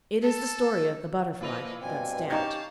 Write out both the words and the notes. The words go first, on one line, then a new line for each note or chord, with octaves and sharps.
It is the story of the Butterfly that Stamped.
A4 A5
A#2 F3 E4 B4 D#5 F7
G2 B2 C4 G#5
C#4 D#4 G4 F5 A5 C#6 G6